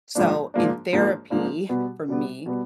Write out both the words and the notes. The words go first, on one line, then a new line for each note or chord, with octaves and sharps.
So, in therapy- for me-
G#2 F3 A#3 D4
G#2 F3 A#3 D4
G#2 F3 A#3 D4
G#2 F3 A#3 D4
B2 G3 B3
B2 G3 B3
B2 G3 B3